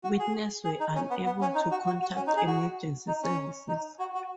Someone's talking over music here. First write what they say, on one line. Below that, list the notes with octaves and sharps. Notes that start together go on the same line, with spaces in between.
Witnesses were unable to contact emergency services.
F#4
G#4
G#4
D#4
C#4
B3
B3
C#4
D#4
F#4
F#4
F#4
C#4
D#4
G#4
F#4
D#4
C#4
D#4
F#4
F#4